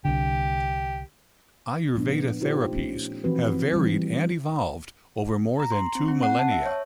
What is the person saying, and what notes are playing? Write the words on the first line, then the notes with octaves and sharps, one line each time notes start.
Ayurveda therapies have varied and evolved over more than two millennia.
C2 D3 G4
A#2 F3 B3 D4
D#4 F4 G4 C5
A3 C#4
E3 F3 C4 F#4 B4
C4
E3 G3
A#5
C6
C4
C4
F#5
A5
E5
C#5